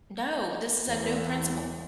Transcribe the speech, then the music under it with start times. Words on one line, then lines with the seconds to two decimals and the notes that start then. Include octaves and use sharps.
No, this is a new principal.
0.87 E2